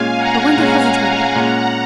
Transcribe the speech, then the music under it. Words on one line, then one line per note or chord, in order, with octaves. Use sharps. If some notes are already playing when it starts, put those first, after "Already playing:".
But Wendy hesitated.
Already playing: A#2 G#3 C#4 F5 G#5
F#5 A#5
A#2 G#3 C#4
A#2 G#3 C#4 F#5 A#5